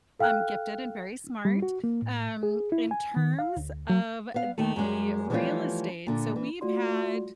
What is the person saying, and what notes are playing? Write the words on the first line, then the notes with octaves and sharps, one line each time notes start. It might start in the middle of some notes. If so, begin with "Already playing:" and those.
um, gifted and very smart. Um, in terms of the real estate, so we've had,
A4 F5 G5 F6 F#6
G3
F#4
A#3
A2
G#4
E4
G#5
D#3
F5
D2
F#3
B3 F5
D#2 D#3 A3 A4
F#2 G3 G#3 C#4
E3 F3 G3 A3 C#4 F4
A#2 D3
E3
A3 F4 F#4 D5 C6